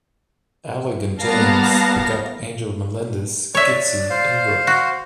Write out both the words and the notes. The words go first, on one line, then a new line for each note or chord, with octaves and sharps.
Alig and James pick up Angel Melendez, Gitsie, and Brooke.
G3 A#3 B3 F5 A5 A#6
C#5 D5 E5
C5 F5
F#4